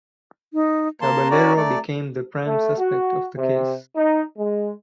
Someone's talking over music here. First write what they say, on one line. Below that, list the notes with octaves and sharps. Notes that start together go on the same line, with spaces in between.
Caballero became the prime suspect of the case.
D#4
A#3 A5 A#5 C6
C#4 F#4 D5
A3 D5
A3
F#4
C3
D#4
G#3